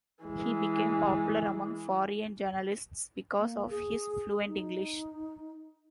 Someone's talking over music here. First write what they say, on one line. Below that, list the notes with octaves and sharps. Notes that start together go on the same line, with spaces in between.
He became popular among foreign journalists because of his fluent English.
E3 G#3
A#3
G#4
D#4